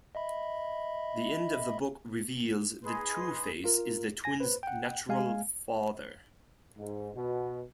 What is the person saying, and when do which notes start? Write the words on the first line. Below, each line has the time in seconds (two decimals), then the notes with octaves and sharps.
The end of the book reveals that Two-Face is the twins' natural father.
0.15 D#5 E5 B5
2.83 D#4 G#4 B4 C6
3.64 F4 A#4
4.24 G#5 A#6
4.40 B4 C5
4.63 F#5 G5
5.09 G#3 F5 G#5
6.77 G#2
7.14 B2